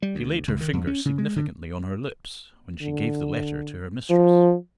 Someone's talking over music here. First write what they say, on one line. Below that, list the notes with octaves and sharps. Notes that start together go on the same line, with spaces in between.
She laid her finger significantly on her lips when she gave the letter to her mistress.
G3
D2
C#2
D#3
F2
C#4
C#3
G#3
D3
D3
F3